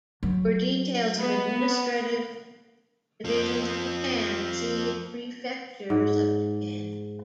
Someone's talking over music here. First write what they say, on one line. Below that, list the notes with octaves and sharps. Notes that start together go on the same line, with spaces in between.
For details of administrative divisions of Japan, see Prefectures of Japan.
F#3
B3
F2 F3
G#2